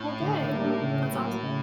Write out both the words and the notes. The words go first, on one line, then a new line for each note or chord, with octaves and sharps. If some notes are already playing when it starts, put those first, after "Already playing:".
Oh, good, that's awesome.
Already playing: A2
D3
G3 A#3 D4
C#3
F#3 A#3
C#3